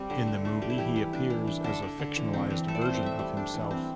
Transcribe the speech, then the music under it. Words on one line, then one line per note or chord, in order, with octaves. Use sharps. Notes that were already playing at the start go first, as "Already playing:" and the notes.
In the movie he appears as a fictionalized version of himself.
Already playing: G3 C4
D3
A3
A3
G3 G4
E4
E3 G4
E3
D4
E3
D4
D3 A4
D3
D3
E3
C4
E3
A3 A4
D5
C4 C5
C5
A3 E5
G3
D4
E3
C4